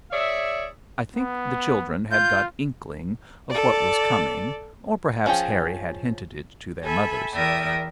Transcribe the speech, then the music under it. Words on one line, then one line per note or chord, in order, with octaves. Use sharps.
I think the children had got inkling of what was coming, or perhaps Harry had hinted it to their mothers.
G#4 C#5 D5 E5
B3
F4 G6
A4 D5
F3 C#4 G#4 G5
A4 E5 G#5 B5
E2 A#4 D5 E5 G5 D#6